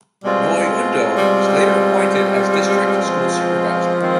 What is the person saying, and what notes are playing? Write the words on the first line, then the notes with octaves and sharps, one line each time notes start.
Noy Undo was later appointed as district school supervisor.
B2 G3 G#3 C4 F4
G3
F3
D#3 G#3 C4 F4